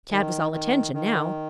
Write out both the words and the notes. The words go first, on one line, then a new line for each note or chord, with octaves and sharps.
Tad was all attention now.
D#3
D#3
D#3